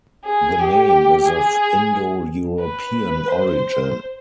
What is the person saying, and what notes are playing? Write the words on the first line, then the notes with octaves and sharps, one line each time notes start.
The name is of Indo-European origin.
G#4
G4
G#4
B4
C5